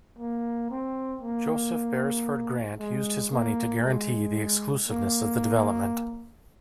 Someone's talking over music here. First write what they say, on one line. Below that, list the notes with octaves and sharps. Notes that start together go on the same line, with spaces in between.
Joseph Beresford Grant used his money to guarantee the exclusiveness of the development.
A#3
C4
A#3
G#3
A#3
G#3
A#3